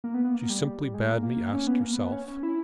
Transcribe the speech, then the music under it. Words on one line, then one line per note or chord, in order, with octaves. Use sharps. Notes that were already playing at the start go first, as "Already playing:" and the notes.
She simply bade me ask yourself.
A#3
B3
B3
A#3
G3
G#3
A#3
A#3
C#4
B3
A#3
B3
C#4
C#4
E4